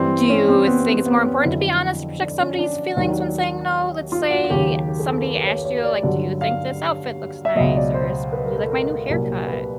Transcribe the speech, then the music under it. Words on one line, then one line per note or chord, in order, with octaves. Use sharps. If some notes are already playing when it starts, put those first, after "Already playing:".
do you think it's more important to be honest to protect somebody's feelings when saying "no"? Let's say somebody asked you, like, "Do you think this outfit looks nice?" Or "Is you like my new haircut?"
Already playing: G2 E3 C4
C#4
C4
B3
B3
C4
B3
C4
F2 D3 F#3 E4
D4
C#4
D4
D#2 D#3 F#3
F4
F#4
F#4
D#2 C#3 F#3 G4
G4
G#4
A4
A#4
B4
C#5
C#5
D5
G2 D3 F#3
F5
E5
C#2 B2 F#3 D#5
D5
C5
B4
A#4
A4
A#4
C2 A#2 F#3 A#4
B4